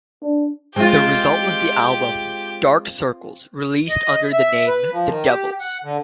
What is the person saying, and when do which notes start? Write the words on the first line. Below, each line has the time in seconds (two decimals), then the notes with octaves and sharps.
The result was the album "Dark Circles," released under the name The Devils.
0.22 D4
0.76 G#3 C4 F4 G4
3.89 D#5
4.33 E5
4.67 B4
4.92 F3
5.08 D#3
5.27 G4
5.60 F#5
5.84 D3